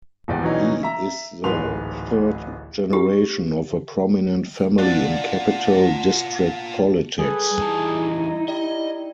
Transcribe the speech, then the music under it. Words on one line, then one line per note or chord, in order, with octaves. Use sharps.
He is the third generation of a prominent family in Capital District politics.
D#1 G#1 E2 D5 G5
B2 E3 F#3 C#4 D#4
E5 A#5
D1 A1 G#2 B4 C6 F7
G4
D4 F4 D5 F#5
G3 G#4 A4 B4
E2 G3 D#4 E4 A5
G3 D#5